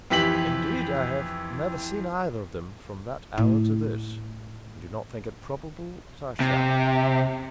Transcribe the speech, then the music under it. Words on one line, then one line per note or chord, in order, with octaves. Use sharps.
Indeed, I have never seen either of them from that hour to this, and do not think it probable that I shall.
F2 E3 G4 B6 F#7
A2 E4
C3